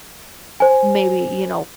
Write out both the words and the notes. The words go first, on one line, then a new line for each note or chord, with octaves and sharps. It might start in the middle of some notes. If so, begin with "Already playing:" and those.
maybe, you know,
C5 G#5